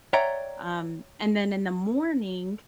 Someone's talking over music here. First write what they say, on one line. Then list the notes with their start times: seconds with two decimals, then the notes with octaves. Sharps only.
um, and then in the morning,
0.13 C#5 D5 E5 F#5 G5 A#5